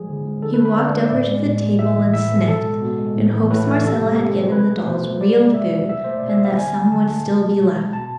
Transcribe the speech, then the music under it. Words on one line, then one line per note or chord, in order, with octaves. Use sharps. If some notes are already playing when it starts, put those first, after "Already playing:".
He walked over to the table and sniffed, in hopes Marcella had given the dolls real food and that some would still be left.
Already playing: F3 G#3 G#4
D3
F3 G#3
D3 A4
B4
G#3
B4
D3 D5
G#3
E5
A2 D5
G#3
A2
G#3
A2 E5
E3 A3
A2 E5
E3 A3
B2 A4
G#3
B2
G#3
A2
E3 A3
A2 B4
E3 A3
C3 A4
F3 G#3
C3
F3 G#3
B2 B4
A3
B2 C5
A3
C3 D5
G#3
C3 E5
G#3
B2 E5
A3 C5
D5
B2
E5
A3
F5
D3 G#5
A3
D3 A5
A3
B2
G#3
B2
G#3
B2 A5